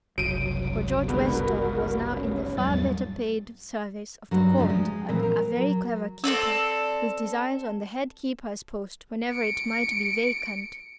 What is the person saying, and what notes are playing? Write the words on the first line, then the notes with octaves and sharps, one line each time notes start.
For George Westall was now in the far better-paid service of the Court--and a very clever keeper, with designs on the head keeper's post whenever it might be vacant.
F#1 C2 F#3 D7 D#7
G2 D3 G#3 B3
F#4 A#4
C#4
E2 G#2 F#3 G3 A6
G2 F#3
C#3 F3 A3 D4
G#3
A#2 E3 F3 C4
A#4
F#3
C4 A4 D5 E6
C#7 D7